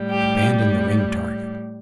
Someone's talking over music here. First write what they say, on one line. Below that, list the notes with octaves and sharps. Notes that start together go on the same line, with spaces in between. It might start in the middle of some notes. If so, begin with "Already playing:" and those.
Abandon the ring target.
Already playing: A2 G3
G4